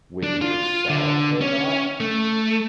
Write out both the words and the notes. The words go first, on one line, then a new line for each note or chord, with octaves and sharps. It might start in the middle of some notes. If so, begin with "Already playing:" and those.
with yourself for that
D4
F4
D3
C#4
A3